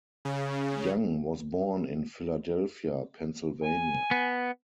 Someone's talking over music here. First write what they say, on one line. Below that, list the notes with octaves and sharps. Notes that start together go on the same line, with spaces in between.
Young was born in Philadelphia, Pennsylvania.
C#3
G#5
B3